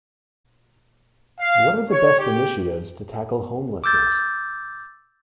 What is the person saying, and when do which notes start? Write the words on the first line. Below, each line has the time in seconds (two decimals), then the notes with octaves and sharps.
What are the best initiatives to tackle homelessness?
1.40 F5
1.90 C#5
2.19 G4
3.84 D6 E6 G6 A6